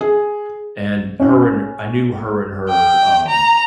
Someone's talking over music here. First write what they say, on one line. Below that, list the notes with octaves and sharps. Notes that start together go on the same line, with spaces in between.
and her and I knew her and her, um,
G#4
C#4
G5
A#5